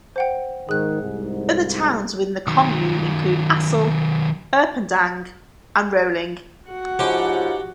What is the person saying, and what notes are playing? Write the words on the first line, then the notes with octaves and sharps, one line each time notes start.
Other towns within the commune include Assel, Erpeldange, and Rolling.
C5 F#5 G5
G#2 D#3 G#4 F#6
C2 G#2
D#3 F#3
F#4 F#5
G#2 F3 C#4 E4 G4